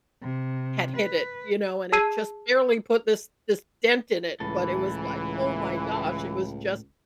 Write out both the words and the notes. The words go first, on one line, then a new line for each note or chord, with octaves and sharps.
had hit it, you know, and it just barely put this this dent in it, but it was like, "Oh my gosh," it was just
C3
B4
G#4 A5 E6 G#6 C7 D#7
C#2 A2 E3 A4 B5